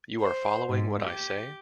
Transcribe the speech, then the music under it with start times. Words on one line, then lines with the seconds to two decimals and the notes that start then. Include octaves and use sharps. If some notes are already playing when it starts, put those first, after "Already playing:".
You are following what I say?
0.20 C5
0.69 G#2
1.01 G4